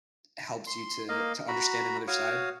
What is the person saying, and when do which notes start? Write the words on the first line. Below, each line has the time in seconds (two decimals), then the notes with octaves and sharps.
helps you to to understand another side,
0.67 C6
1.09 A#3 D#5 F5
1.48 F#4 A#5 B5
2.08 F#4 C#5 F5 D#6